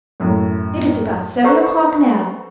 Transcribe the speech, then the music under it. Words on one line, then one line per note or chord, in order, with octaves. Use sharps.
It is about seven o'clock now.
F#2 A2
A4 B4 C5 F#5 A#5 C#6